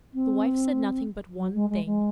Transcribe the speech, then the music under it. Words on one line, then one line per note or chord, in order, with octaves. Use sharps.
The wife said nothing but one thing.
C4
F#3
G#3
G#3
G#3